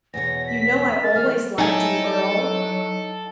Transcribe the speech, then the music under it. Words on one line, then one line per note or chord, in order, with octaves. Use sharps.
"You know I always liked you, Earle."
E2 B2 C#5 A#6
B6
A#4 A6
E3 A#3 F6
F#3 D#4 E4 G4 A4 G#5